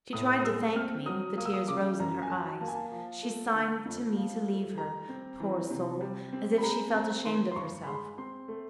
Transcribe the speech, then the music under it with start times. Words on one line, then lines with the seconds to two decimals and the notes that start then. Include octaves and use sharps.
She tried to thank me; the tears rose in her eyes--she signed to me to leave her, poor soul, as if she felt ashamed of herself.
0.13 A2 D#6
0.39 D#6
0.44 G#3 E6
0.75 C4 F6
1.06 F#3 D#6
1.37 A#3 D#6
1.46 E6
1.54 D#6
1.68 C#3 D6
1.99 F#2 A#5
2.23 G#5
2.30 F#3 A5
2.61 A#3 A5
2.68 G#5
2.75 A5
2.92 F3
3.23 A3
3.54 D3
3.85 F2
4.16 F3
4.46 A3
4.78 G3 A#5
5.09 C4
5.40 E3
5.71 C3
6.01 G3
6.33 C4
6.58 B5
6.63 G#3 A#5
6.90 A5
6.94 C4 A#5
7.25 D#3 C6
7.51 C6
7.56 G2 C#6
7.83 B5
7.87 G#3 C6
8.18 C4 C6
8.48 A3